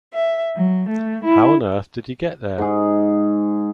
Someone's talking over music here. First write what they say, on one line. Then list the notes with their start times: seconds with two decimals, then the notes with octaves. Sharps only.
How on earth did he get there?
0.13 E5
0.55 F#3
0.89 A3
1.24 E4
2.58 G#2 G#4